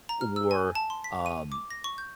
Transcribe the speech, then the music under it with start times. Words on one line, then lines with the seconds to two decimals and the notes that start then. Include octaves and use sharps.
or, um,
0.09 A#5
0.21 F6
0.36 E6
0.51 G#5
0.75 A5
0.90 C6
1.04 B6
1.26 D#7
1.52 D6
1.71 A#6
1.84 C#6
1.98 G6